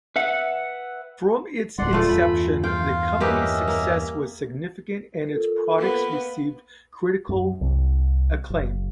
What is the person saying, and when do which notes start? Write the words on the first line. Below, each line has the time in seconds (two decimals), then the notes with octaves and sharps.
From its inception, the company's success was significant and its products received critical acclaim.
0.16 B4 E5 F#5
1.78 D1 G3 D5 F#5 C6
1.93 A3 F4
2.08 E2 G2 B5
2.64 F4 F5 G5
3.20 A#3 C#4 G4 B4 D#5 E5
3.68 A#3
5.26 F4 A4 A#4
5.77 A#3 B3 B4
7.29 F#2
7.61 C2
8.50 F#1